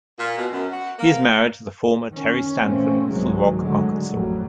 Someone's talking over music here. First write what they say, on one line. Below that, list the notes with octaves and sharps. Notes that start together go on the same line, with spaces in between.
He is married to the former Terry Stanford of Little Rock, Arkansas.
A#2
B2
F#2
F#4
A#3
D#3 C#4
A#2 E3 A3 A#3 C4 C#4
C2 G#2 C3 D#3 F#3 G#3
A2 D3 F#3 G#3
A1 F2 A2 F#3 G3